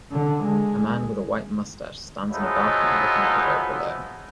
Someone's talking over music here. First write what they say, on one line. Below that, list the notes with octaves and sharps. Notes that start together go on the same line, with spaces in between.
A man with a white mustache stands on a balcony looking at the road below.
D3
G#3
F3 F#3 G#3 B3 D#4 E4